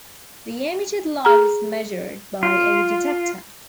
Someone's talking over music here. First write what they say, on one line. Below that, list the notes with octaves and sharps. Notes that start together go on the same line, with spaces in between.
The emitted light is measured by a detector.
G#4 A#5
F4